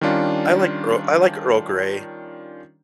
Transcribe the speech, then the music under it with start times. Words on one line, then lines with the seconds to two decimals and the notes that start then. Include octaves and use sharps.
I like Earl I like Earl Grey.
0.01 D#3 G3 C#4 D4 F4